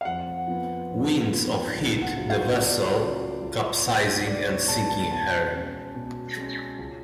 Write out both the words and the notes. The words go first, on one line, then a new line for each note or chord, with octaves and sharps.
Winds of hit the vessel, capsizing and sinking her.
F5
F2 F#5
F3 B3
F2
F3 B3
C#2
F#5
C#3 F#3
F5
C#2 D5
C#3 F#3
C#2
B2 G#3 B3
C#2 D5
C#5
B2 G#3 B3 A5
A5
B2 A5
G#3 C#4
B2
G#3 C#4
C#2